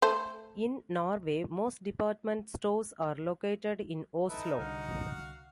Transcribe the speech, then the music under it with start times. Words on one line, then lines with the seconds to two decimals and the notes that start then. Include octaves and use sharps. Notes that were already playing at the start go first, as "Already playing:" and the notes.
In Norway, most department stores are located in Oslo.
0.02 A3 A4 C5
4.27 D#4 E4 A4 B4
4.58 C2 D3 F#4 F5